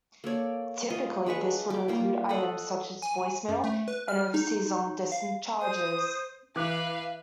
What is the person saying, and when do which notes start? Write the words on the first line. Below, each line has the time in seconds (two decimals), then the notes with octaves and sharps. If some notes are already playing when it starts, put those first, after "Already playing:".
Typically this would include items such as voice mail and overseas long distance charges.
0.24 A#3 A4 C#5 D5
0.90 F4 D#5
1.26 G#3 D4 B4 C#6
1.70 G4 D6
1.88 G3 A#3 F4
2.29 A4 D#5 F5 F#5
3.02 G#5
3.48 F#2
3.64 A3
3.88 B4
4.08 F6
4.34 D#4
5.12 F5
5.61 C5 D#6
6.56 E3 B4 E5 F5 D6 F#6